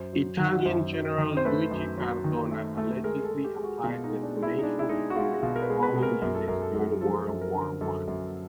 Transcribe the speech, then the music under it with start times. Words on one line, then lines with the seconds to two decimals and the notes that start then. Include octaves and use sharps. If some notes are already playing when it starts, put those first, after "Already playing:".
Italian General Luigi Cadorna allegedly applied decimation to underperforming units during World War One.
Already playing: F#2 C5
0.13 F#3
0.39 D#3
0.65 F#2 C5
0.92 F#3
1.18 D#3
1.37 C5
1.45 A3 B4
1.71 F#2
1.98 F#3
2.24 D#3
2.51 A3
2.77 A3
3.04 G#3 A#4
3.24 A4
3.31 G#3
3.44 G4
3.57 G#3
3.64 F#4
3.83 B2 F4
4.04 D#4
4.10 G#3
4.23 D4
4.37 G#3
4.43 E4
4.58 D#4
4.63 G#3 D4
4.79 E4
4.89 G#3 D#4
5.10 F#4
5.15 G#3 F4
5.43 B2 F4
5.56 A#4
5.62 B4
5.70 G#3
5.83 B4
5.96 G#3
6.03 A#4
6.22 F#2 A#4
6.35 A4
6.47 F#2 A#4
6.62 A4
6.75 F#2
7.01 F3 A4
7.22 A4
7.28 F#2
7.41 A#4
7.55 D3
7.61 A#4
7.81 F#2 A4
8.08 F#2